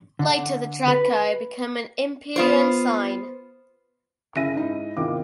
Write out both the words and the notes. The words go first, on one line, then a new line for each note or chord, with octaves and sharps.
Later, the "draco" became an imperial ensign.
D3
B4
B3 F4 C5
F#1 C#4 E4 E5 A#6 D#7
G#2 D#4 E4
G#1 E2 C3 D#3 F4 D6